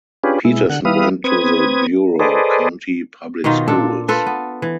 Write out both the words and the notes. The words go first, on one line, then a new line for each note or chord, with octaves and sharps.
Peterson went to the Bureau County public schools.
C#4 D4 F4 G4 G#4 B4
B2 G#3 E4
D3 F#5
G3 E4 B4 F5 D#6
C4 B4 D#6 G#6
G#4 A4 B4 C5 D5 D#5
B2 D#3 D#4 F4
A#2 D4 A4
F4 A4 B4
B3
E3